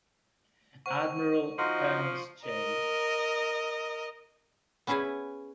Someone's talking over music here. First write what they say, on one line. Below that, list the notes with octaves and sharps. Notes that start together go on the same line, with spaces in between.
Admiral Ernest J.
C5 F#5 C#6
F3 D#4 F#4 D#5 C6 F6
A#4 D#5
B3 C#4 E4 G#4 B4